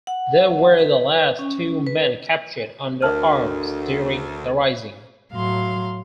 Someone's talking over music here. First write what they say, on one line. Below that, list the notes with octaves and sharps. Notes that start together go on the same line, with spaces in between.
They were the last two men captured under arms during the Rising.
F#5
B4
C#4
B4
D2 A#4 A5 F6
A2 F#3 F5 C6